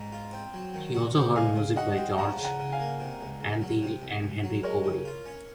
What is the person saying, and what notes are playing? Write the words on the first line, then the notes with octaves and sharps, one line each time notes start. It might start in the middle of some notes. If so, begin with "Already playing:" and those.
He also heard music by George Antheil and Henry Cowell.
Already playing: G#2 A#5
F4
C4
F#3
D#3
F#4
C4
G#3 F5 G#5
C#3
F#4 D#5 F#5
C4
F3 F#5 A#5
C#3
F#5 A#5
C#3
F5 G#5
A#3
C3
C#2
C#2
F#3
C3
C2
C2
F#3
G#3 A#4 C#5
C#3
F4
C#4